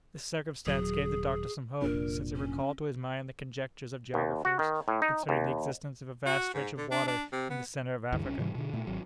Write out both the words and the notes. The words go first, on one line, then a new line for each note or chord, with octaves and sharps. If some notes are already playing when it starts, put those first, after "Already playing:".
This circumstance gave the doctor some hope, since it recalled to his mind the conjectures of geographers concerning the existence of a vast stretch of water in the centre of Africa.
D#1 F#3 G#4
F1 A#2 D4 A#4
C#4
D#2
F#4
D#3
A2
D#4
D#2
F#4
G#2
D3
D4
D4
C3
B3
D2 G2 D3 E3
B1 C#4
G#2 C3 E3 G3
B2 D3
A#2 A3
G#1 F#3